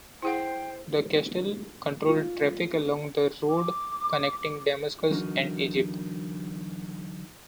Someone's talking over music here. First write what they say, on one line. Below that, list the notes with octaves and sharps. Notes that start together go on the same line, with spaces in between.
The castle controlled traffic along the road connecting Damascus and Egypt.
E4 G#4 C5 F#5 G5
F4
D6
D3 E3 F#3 D#4 F#4 A#4